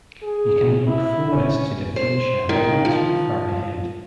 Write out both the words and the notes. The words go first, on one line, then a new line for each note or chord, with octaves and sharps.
You can look forward to the future but not too far ahead.
G#4
E4
C#4
C5
D#3
F3